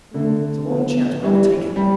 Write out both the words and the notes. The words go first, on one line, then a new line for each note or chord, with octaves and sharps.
"It's a long chance, but I'll take it."
D3 A3
B3
E3 G3
G3